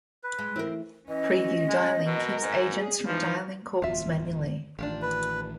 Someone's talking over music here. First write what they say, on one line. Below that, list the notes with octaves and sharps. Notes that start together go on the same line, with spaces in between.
Preview dialing keeps agents from dialing calls manually.
B4
G#3
E3 A3 C4 E4 A#4
E3 C#4 D#5
G#3
B2 A#4
G#2
G#4
E3 F3 D#4
D1 E2 G2 F4 E5
A1 D#3 D4 F4 G4
B4